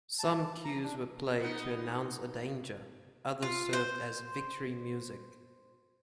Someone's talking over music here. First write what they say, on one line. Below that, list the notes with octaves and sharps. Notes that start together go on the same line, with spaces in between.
Some cues were played to announce a danger; others served as 'victory' music.
A5
A#5
D4
B3 D#4
F4
C5